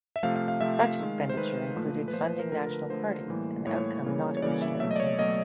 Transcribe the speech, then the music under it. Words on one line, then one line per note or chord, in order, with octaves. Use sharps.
Such expenditure included funding national parties, an outcome not originally intended.
E5
C3 F3 A3 F5
F5
F5
C3 F3 A3 E5
F5
D#3 G#3
C5
D#3 G#3 B4
A#2 F3 A3
B4
A#2 F3 A3 C5
B4
A#4
D3 F3 A3 A#4
A#4
B4
D3 F3 A3 C5
A2 E3 G3 A#3
A2 E3 G3 A#3 C#5
C#3 E3 G3 A#3
C#5
C#3 E3 G3 A#3 D5
E5
B2 F#3 A3 E5
D#5
D5
C#5
B2 F#3 A3 D#5